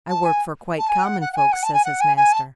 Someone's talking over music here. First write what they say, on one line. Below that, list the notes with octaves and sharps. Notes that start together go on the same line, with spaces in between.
I work for quite common folks,' says his master.
A5
G#5
A5
G#5
F#5
F#5
F#5
G#5
F#5
A5
G#5
F#5
G#5
G#5
A5